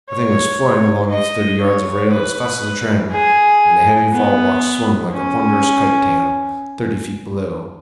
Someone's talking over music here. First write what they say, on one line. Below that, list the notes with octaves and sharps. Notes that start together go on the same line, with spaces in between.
The thing was flying along its thirty yards of rail as fast as a tram, and the heavy fall-blocks swung like a ponderous kite-tail, thirty feet below.
C#5
D#5
C#5
B4
G#4
B3
C#4